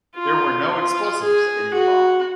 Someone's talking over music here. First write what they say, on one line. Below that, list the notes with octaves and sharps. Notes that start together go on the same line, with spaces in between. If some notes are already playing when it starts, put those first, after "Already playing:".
There were no explosives in the bomb.
F4
F4
G#4
F#4